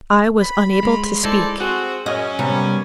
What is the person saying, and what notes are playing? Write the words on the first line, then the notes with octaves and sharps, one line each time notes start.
I was unable to speak.
B5
G#3 F4
G#3 D#4 E4 A4 C5 D5
C4 F#4 G#4
F#2 C#4 D#5
C3 G3 B3